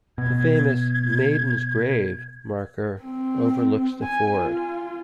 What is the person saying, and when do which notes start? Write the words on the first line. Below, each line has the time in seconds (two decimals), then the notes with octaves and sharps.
The famous "Maiden's Grave" marker overlooks the ford.
0.18 B2 G#6
3.02 C4
4.03 G#5
4.39 F4